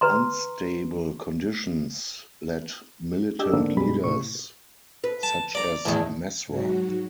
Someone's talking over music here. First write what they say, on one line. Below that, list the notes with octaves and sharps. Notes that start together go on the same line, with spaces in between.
Unstable conditions led militant leaders such as Messra.
B4 A#5 C6
D4 G4 D#5 E6
G#2 D3 A#3 C4 D4
F#2 B2 G3 G#3 B5
A2 C3 C#6
B4
A5
D5 A#5
E2 A2 D#3
G#2 F#3 F#4